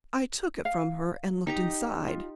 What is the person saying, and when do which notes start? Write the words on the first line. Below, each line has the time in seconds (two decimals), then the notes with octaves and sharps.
I took it from her and looked inside.
0.65 F5
1.47 D#4 G4 A#5
2.08 F4